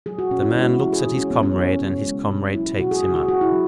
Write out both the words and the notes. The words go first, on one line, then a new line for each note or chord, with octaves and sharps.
The man looks at his comrade, and his comrade takes him up.
F#3 G#4
F#4
B2 C#4
E4
G#3 E4
F#4
E3 E4
G#4
B2
C#4
B2 B3
C#4
F#3
C#3
G#3
B2
F#3 E4
B2 F#4
G#4
C#3 F#4
G#4
F#3 F#4
E4
F#3